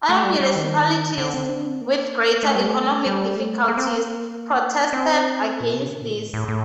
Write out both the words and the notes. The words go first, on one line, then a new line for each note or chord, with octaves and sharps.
Other municipalities with greater economic difficulties protested against this.
A3
G3
G3
D#3
D3
C4
D4
C4
A#3
A3
G3
A3
G3
A3
A#3
C4
A#3
C4
A#2
C3
D3
A#2
A2
A2
A2